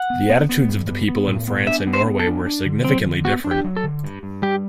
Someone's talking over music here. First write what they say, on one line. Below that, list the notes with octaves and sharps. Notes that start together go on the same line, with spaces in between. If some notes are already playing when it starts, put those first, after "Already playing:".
The attitudes of the people in France and Norway were significantly different.
Already playing: F#5
B3
B3
B3
G2
B3
B3
A2
B3
D4 E5
B3
C5
B3
A4
D4
D4
D3
F#3 C4
D3
B3 F#4
D4
G4
F#3
A4
D3
G2
G2
G3 G4